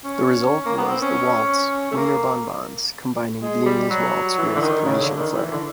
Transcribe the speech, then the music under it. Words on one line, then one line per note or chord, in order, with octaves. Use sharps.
The result was the waltz 'Wiener Bonbons' combining Viennese waltz with Parisian flair.
C#4
A#3
B3
C4
C#4
A3
A#3
G#3
G3
F#3
E3
D3
D#3
C#3
D3
D#3
E3
D3